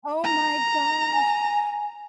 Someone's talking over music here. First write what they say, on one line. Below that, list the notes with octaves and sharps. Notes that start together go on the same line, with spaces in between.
Oh my gosh.
A#5
G#5